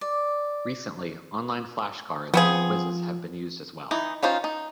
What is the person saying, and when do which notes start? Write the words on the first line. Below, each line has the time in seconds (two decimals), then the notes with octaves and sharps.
Recently, online flashcards and quizzes have been used as well.
0.01 D5
2.34 F3 B3 C4 F4 G#4
3.91 E3 D#4
4.23 C#4 D#4 F4 C5
4.44 D#4